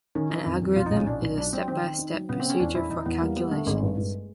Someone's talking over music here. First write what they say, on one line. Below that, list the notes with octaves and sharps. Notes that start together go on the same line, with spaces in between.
An algorithm is a step-by-step procedure for calculations.
D#3 C#4
D#3 D#4
F2
F2
B1 F4
D#4
B1
C#4
B1 D4
B1
F#3 D4
F#3 C4
D#3 C4
D#3
D#4
F#3
C#3 B3
C4
B3
C#4
E2 D4
E2 E4
E2 D#4
E2 B3
G3 A#3
G3 B3
D3 A3
G#1 G#3
G2
G2